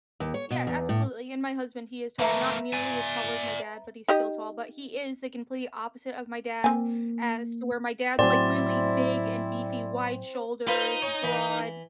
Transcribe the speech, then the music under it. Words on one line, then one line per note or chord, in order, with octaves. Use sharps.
Yeah, absolutely, and my husband, he is tall- not nearly as tall as my dad, but he's still tall- but he is the complete opposite of my dad as to where my dad's like really big and beefy, wide shoulders, broad.
D#2
C#5
B2
E2
A2
A3 A#3 B4 E5 A#5
D5 G#5
D#4 G4 D#5
A#3 C4 G#5
A2 F#3 C4 E4 D5 G#5
D#4 F4 B4 C5
C#5 G#5
E3